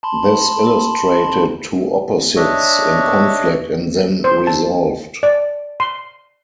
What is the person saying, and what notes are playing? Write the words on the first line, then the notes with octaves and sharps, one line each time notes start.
This illustrated two opposites in conflict and then resolved.
A5 B5 C6
D4 C#5 D#5 E5
C5
A5
D5
C6